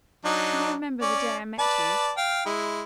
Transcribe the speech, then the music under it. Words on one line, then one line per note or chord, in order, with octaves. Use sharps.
Do you remember the day I met you?
F#3 D4 D#4
C#4 D5
B4 D5 A5
F5 G5
G#3 E4